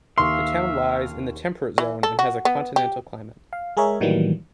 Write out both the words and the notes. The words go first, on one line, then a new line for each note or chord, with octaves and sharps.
The town lies in the temperate zone and has a continental climate.
D#2 E5 F5 C6 C#6
E3
A4
F#4
B3
G4
F5
G#3 G#4 A#4 C#5 E5
A2 D#3 E3 F#3 G3 A#3